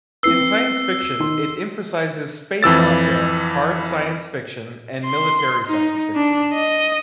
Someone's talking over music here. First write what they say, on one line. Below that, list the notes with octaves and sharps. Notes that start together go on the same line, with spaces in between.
In science fiction, it emphasizes space opera, hard science fiction, and military science fiction.
C4 E4 B4 E6 C7
D#3 C6
F2 E3 E6 A6
C6
D#4
D4
D#5